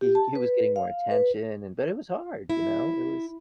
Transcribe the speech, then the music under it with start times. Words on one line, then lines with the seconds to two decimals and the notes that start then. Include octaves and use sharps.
“he he was getting more attention. And but it was hard, you know? It was
0.01 G4
0.15 A5
0.35 B4
0.76 F5
1.11 B4
2.50 E4